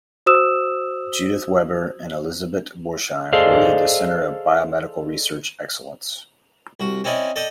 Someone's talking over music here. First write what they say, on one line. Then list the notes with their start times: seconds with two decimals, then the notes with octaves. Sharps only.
Judith Weber and Elisabet Borsheim will lead the Center of Biomedical Research Excellence.
0.26 F#4 C5 D#6 E6 E7
3.33 G#4 A4 C5 D5 D#5 F5
6.80 C2 F#4
7.04 C4 C#4 D#4 E4 D5
7.36 A4 D5 D#5 G5 A5